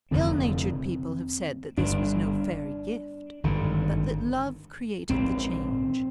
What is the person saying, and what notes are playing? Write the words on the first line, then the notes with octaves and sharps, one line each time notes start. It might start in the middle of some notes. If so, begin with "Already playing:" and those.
Ill-natured people have said that this was no fairy-gift, but that love created the change.
F1 F2 D3 C4
G1 G2 D3 D4
G#1 G2 D3
A#1 G#2 C4